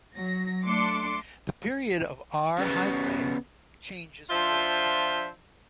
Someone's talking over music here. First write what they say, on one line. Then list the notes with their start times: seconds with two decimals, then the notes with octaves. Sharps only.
The period of R Hydrae changes slowly.
0.16 F#3 A#6
0.65 A3 D4 C6 D6 C#7
2.59 C#3 B3
4.30 F3 D4 F4 C5 E5